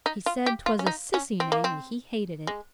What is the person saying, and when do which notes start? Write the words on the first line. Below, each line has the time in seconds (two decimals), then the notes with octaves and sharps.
He said 'twas a sissy name, and he hated it.
0.06 D#4
0.26 F4
0.46 G4
0.66 F4
0.79 C#4
0.86 D#4
1.14 C#4
1.40 C4
1.52 A#3
1.64 C4
2.47 G#3